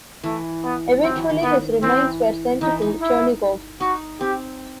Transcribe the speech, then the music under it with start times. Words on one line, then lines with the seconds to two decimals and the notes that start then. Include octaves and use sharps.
Eventually his remains were sent to Chernigov.
0.23 E3 A3
0.64 B3
1.04 F#3 C4
1.16 E3
1.30 D#3
1.43 D#3 B3
1.82 E3 C4
2.61 E3 D#4
2.82 D#4
3.02 E4
3.80 D#4 F#4
4.21 C4 G4